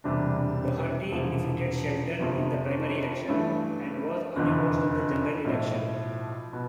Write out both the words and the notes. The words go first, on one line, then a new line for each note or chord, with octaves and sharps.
Dougherty defeated Shelton in the primary election, and was unopposed in the general election.
E1 E2 C3 G3 D4
E1 E2 C3 F3
G1 F2 C3 F3
G2 E3 A3 E4
F1 E2 D3 F3
B1 A2 F3
B2 B3